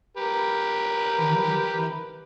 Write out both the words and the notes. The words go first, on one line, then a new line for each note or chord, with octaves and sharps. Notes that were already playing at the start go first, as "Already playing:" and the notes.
Oh, right.
G4 A#4 B4